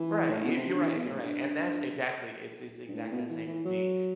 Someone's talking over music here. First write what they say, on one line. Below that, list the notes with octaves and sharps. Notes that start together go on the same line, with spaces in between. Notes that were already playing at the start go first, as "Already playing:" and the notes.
right, you you're right, you're right, and that's exactly it's it's exactly the same with me,
Already playing: E3
A2
B2
C3
D3
E3
B2
A2
G2
G2
A2
B2
E3
E3
F#3